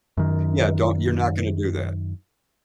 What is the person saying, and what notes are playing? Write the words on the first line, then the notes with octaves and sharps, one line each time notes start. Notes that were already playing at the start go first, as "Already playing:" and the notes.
Yeah, don't you're not gonna do that.
F#2 D#3